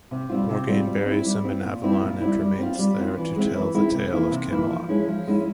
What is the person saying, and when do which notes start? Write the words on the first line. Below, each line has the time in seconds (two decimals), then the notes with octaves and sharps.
Morgaine buries him in Avalon and remains there to tell the tale of Camelot.
0.11 C3
0.30 G3 C4 F4
0.49 C3
0.68 G3 C4 F4
0.86 G3
1.06 C4 E4
1.25 G3
1.44 C4 E4
1.63 A#2
1.83 G3 C4 E4
2.02 A#2
2.20 G3 C4 E4
2.41 G3
2.59 C4 F4
2.79 G3
2.98 C4 F4
3.17 E3
3.36 G#3 C4 E4
3.55 E3
3.74 G#3 C4 E4
3.93 C3
4.13 E3 A#3 E4
4.31 C3
4.50 E3 A#3 E4
4.70 F3
4.89 G#3 C#4 E4
5.08 F3
5.27 G#3 C#4 E4